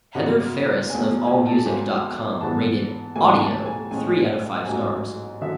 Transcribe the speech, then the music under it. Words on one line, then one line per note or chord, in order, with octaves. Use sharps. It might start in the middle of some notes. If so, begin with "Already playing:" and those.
Heather Phares of Allmusic dot com rated "Audio" three out of five stars.
G#1 F#2 C#3 F#3 B3 F#5
E2 B2 A3 D4 G#5
G#5
A5
G#1 G#2 F#3 C#4 G#5
G#2 E3 G#3 B3 D4 A5
G#2 F#3 A3 G#5
A5
G#5
A1 A2 G#3 C#4 G#5
A1 G#2 F#3 G#5
D3 F#3 E5